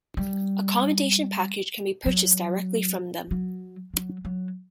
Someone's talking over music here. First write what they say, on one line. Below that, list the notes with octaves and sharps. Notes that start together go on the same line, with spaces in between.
Accommodation package can be purchased directly from them.
G3
F#3
F#3
F#3
F#3